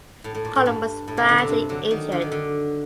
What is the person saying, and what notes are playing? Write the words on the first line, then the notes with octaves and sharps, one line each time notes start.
Collum was badly injured.
A2
A2
A#2
A2
G2
A2
C3
D3
C3
G2
D3 F#3
D#3
D3
D#3
D3